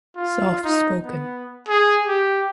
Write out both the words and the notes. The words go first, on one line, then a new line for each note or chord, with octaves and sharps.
Soft spoken.
F4
D#4
B3
G#4
G4